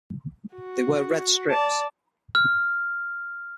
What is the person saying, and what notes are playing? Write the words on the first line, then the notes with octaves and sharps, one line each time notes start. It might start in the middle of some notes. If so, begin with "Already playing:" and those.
They wear red strips.
F#4
D5 A5
F6